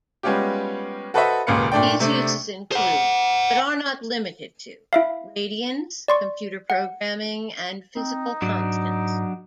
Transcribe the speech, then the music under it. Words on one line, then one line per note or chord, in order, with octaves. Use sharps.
These uses include but are not limited to radians, computer programming, and physical constants.
G3 G#3 B3 C#4 F4 G4
F#4 A4 B4 C5 D#5 E5
D#1 C#2 A#2 B4 F5 C#7
A#2 A3 D4 D5 G5
C3 A3 C4 D4
C5 F#5
E4 E5 F5
D5 C6 C#6
F#5
C4 D#4
G#2 F#3 D4